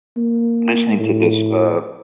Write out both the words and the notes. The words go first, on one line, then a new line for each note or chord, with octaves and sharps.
listening to this, uh,
A#3
A2